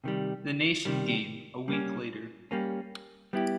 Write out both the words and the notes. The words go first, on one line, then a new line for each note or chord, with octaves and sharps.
The Nation Game a week later.
C3 D#3 G3
C3 D#3 G3
G3 A#3 C#4
G3 A#3 C#4
G3 B3 E4 G4